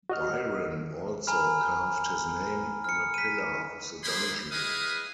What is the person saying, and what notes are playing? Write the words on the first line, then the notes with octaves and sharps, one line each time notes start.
Byron also carved his name on a pillar of the dungeon.
F#4 D#5 F6
G#5 A#5 B5 F6
F6 C#7
B6 D#7
G#3 A#3 G#4 C5 B5 C6
E4 G#4 B4 D#5 F5 D#6